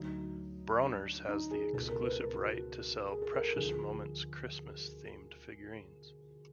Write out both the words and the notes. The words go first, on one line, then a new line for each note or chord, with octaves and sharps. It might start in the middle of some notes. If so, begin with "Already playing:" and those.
Bronner's has the exclusive right to sell Precious Moments Christmas-themed figurines.
Already playing: D2 D3 F#3 A3 D#4
D4
D#4
G#4
C#2 B2 G#3 A4
A#4
B4
A#4
F#4
F#4
G#4
A4
A#4
D2 D3 F3 G#4